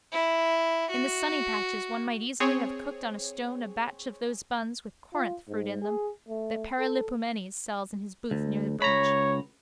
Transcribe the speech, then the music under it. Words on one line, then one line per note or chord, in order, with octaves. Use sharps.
In the sunny patches one might easily have cooked on a stone a batch of those buns with Corinth fruit in them that Periplipomenes sells in his booth near the bridge.
E4
F#4
C4 G#4 C#5
F4
G#2
G#4
A3
A4
D2
C#2 C#5 A#5 B5